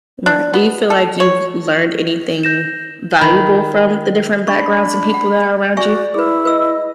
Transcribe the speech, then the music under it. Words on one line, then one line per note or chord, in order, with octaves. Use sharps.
Right, do you feel like you've learned anything valuable from the different backgrounds and people that are around you?
D4
B3
A4
C#5
G6 A#6 E7
D#3 B5
D4 B5 C#6
F#5
F#4 D5 E5 G#5 C#6
E4 G#4 B4
B4 D#5 E6